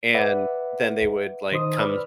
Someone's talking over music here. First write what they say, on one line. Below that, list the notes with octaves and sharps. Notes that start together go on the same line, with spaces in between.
And then they would, like, come
B4 D5 E5 F#5
D#3 D#4 C5 D#5 D#6
B4 D5 B5 E6 F6